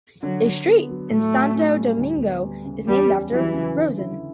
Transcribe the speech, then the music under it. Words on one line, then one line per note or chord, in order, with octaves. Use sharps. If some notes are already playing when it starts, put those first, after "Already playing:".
A street in Santo Domingo is named after Rosen.
D3 F#3
D3
B3
F#3
A2 A3
F#4
C#4
G3
D2
B3
G3
C#3
E2 G3
C#4
E3 F#3
C#3
D3
E4